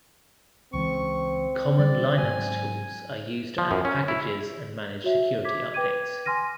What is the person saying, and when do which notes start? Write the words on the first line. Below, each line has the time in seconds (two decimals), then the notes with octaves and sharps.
Common Linux tools are used to add packages and manage security updates.
0.73 C#2 E3 G#3 C4 C#6
1.79 D#3 G3 D5
2.18 G#2 F#3 G#5
3.58 F3
3.71 F#2
3.85 C#4
4.08 E4
5.04 F#4 C#5 E5
5.45 D6 G#6 B6
5.74 B4 G5 D6 G#6 D#7
6.25 G#5 C6 F6 A#6 D#7